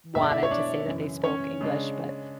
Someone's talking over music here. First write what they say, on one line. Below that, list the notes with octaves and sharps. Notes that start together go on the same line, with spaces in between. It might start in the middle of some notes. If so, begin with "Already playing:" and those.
wanted to say that they spoke English, but
B2 G#3 D4 E5
D5
E4 E5
C#5
D4 D5
F#2 C#3 E3
C#4 C#5
C#3 G#3 D4